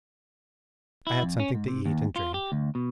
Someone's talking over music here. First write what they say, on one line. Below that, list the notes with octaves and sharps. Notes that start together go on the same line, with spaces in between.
I had something to eat and drink.
E4
F2
C#4
G#2
C3
D#2
F4
G4
D2
B2